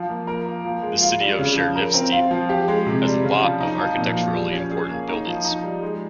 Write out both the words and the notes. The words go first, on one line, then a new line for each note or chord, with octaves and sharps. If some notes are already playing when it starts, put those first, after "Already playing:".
The city of Chernivtsi has a lot of architecturally important buildings.
Already playing: F3
A#3
A#4
A#3
F3
G#3
F4
G3
C#3
F3
A#4
C4
F4
F3
G4
G#3
C3
G3
C#3
F3
D#4
F3
A#2
F3
G3
C#4
G#4
A#3
D#4
F3
D#4
G3
G#3